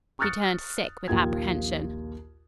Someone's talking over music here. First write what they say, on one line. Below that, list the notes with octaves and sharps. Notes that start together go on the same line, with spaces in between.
She turned sick with apprehension.
C#6 D#6 F6 F#6 A6 C#7
A#1 D#2 A#3 F4 G5 G#6